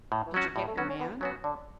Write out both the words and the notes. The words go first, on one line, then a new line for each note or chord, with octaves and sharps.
"Did you get your man?"
A2
E3
F#3 C#4 F#4
A2 G3
A3
F#3 B3 C#4 F#4
C#4
D3 B3
F#3 B3 C#4 F#4
D3 D4